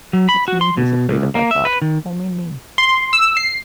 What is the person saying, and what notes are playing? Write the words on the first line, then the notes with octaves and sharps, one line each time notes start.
It's me he's afraid of, I thought, only me.
F#3
B5
F#4
C6
B2
C#2
A#3
E5
B4
D#3
C6
E6
C7